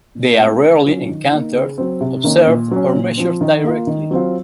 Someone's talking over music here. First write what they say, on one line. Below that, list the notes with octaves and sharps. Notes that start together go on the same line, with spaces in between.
They are rarely encountered, observed or measured directly.
A#2
G#3 C4 F4
C#3
F#3 C#4 F4
D#3
A#3 D#4
C#3
F#3 C4
C3
D#3 A#3 C#4
A#2
F#3 C#4
A#2
F3 C4
D#3
A#3 F4
D#3
F#3 C4 F4